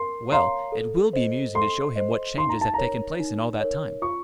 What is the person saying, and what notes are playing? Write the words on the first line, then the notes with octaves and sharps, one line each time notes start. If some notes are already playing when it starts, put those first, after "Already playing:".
Well, it will be amusing to show him what changes have taken place in all that time.
Already playing: A#4 C6
C#5 F5 A#5 C6
A4
C5 D#5
A4 C6
C5 D#5
D#4 C6
A#5
A5
A#4 C#5 A#5
D#4
A#4 C#5
F4 C#6